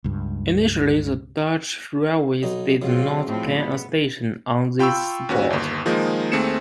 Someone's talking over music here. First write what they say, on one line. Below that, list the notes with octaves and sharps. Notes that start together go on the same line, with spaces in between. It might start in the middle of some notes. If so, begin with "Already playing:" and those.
Initially the Dutch railways did not plan a station on this spot.
C#2 G2
B1 F#3 D#4
G#2 F#3 C4 F4
A2 F3 C4
B3
F4 G5 B5 C#6 E6
D#2 C#4 F#4 B4
G1 D#2
D#3 F3 G#3 A#3 D#4
D#2 A3 C4 G#4 C#7 E7